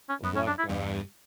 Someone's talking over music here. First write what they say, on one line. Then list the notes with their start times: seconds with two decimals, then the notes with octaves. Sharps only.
a black guy
0.09 C#4
0.24 F#2 B3
0.36 C#4
0.47 D4
0.58 E4
0.69 E2 G2